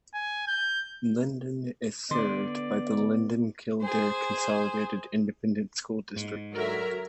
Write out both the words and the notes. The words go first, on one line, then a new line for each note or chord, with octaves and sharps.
Linden is served by the Linden-Kildare Consolidated Independent School District.
G#5
G6
D3 B3 D5 C6
G#4 C5
G#2
D3 F#3 A#4 E5